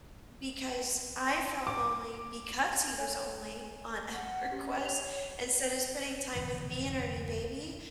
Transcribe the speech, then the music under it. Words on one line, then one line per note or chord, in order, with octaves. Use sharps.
because I felt lonely because he was only on EverQuest instead of spending time with me and our new baby,
D6
C#5 G#5
F#5
C#4 G4
C#5
F7
F1 D2 B2 E3